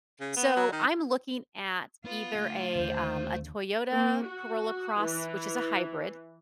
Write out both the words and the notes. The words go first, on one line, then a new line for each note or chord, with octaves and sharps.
So, I'm looking at either a, um, a Toyota Corolla Cross, which is a hybrid.
C#3
B3
F#3
D#3
B3 F4 B4
A3 F#5
D#2 D3 C5
A#3
F#4
E3